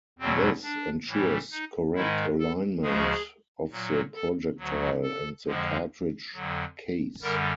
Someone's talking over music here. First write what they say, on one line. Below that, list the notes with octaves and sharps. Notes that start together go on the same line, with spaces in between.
This ensures correct alignment of the projectile and the cartridge case.
E2 B2 F#3 C4
D4
A2 E3 G3
D#4
G#2 D#3 G#3 E4
A4
D2 C#3 F3 G#3 G#4
A#2 F#3
A4
D2 D3 F#3
A4
F2 D3 F3 G#3
F2 D3 F#3
F#2 D3 G3 A#4